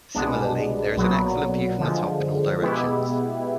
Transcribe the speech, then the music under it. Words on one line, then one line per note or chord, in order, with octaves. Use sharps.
Similarly, there is an excellent view from the top in all directions.
C2 B2 G#3 B3 D4
B1 A#2 F#3 B3
D3 F3 G#3
B2 G#3 B3 E4 G4